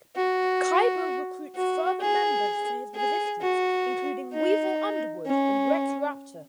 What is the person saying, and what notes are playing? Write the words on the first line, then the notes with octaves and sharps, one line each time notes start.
Kaiba recruits further members for his resistance, including Weevil Underwood and Rex Raptor.
F#4
F#4
G#4
G#4
F#4
D#4
C#4